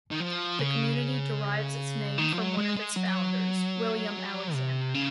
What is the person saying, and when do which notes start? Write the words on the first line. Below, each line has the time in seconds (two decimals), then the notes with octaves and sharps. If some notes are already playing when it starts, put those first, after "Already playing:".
The community derives its name from one of its founders, William Alexander.
0.11 D#3
0.21 F3
0.59 C#3
2.18 D#3
2.32 F3
2.38 F#3
2.57 G#3
2.77 G#3
2.96 F#3
4.54 C3
4.94 C#3